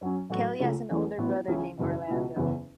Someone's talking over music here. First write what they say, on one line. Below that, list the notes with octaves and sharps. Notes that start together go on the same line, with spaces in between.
Kelly has an older brother named Orlando.
F#2 F#3 C#4
A1 A2 F#3 A3 F#4
C#2 C#3 A3
E2 E3 A3 C#4
A1 A2 F#3 B3 F#4
C#2 C#3 E3 C#4 E4
F#1 E2 B2
C#2 B2 B3 E4
F#1 E2 C#3 E3 B3